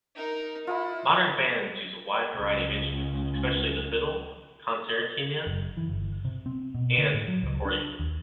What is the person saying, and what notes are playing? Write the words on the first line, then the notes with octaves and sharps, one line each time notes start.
Modern bands use a wide variety of instruments, especially the fiddle, concertina, and accordion.
D#4 A#4
E4 F4 D#5 F#5 B5
C#2 C#3
F#1
E3
G1
C3
C4
B2
D3
A2
F#3
C#2
D4
D#2